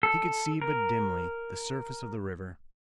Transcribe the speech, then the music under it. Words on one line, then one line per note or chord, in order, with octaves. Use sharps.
He could see but dimly the surface of the river.
A4
A#4